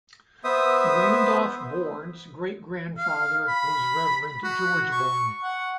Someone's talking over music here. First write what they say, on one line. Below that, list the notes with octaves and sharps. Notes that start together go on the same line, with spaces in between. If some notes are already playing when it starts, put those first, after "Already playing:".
Randolph Bourne's great-grandfather was Reverend George Bourne.
B3 C5 E5 D#6
F5
B5
F#4
C#6
F#5